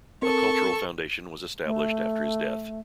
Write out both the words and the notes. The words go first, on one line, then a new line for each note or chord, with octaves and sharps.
A cultural foundation was established after his death.
C4 A4 A#4 C#6
A3